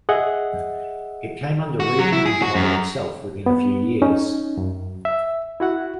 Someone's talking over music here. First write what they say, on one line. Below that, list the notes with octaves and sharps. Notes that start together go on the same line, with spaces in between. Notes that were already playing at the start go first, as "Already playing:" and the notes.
It came under Reading control itself within a few years.
G#4 D#5 E5 F#5
F#4
F#3
E4
G#4
F#4
F#2
B3
C#4 D#4
F#2
E5
E4 F#4 F#5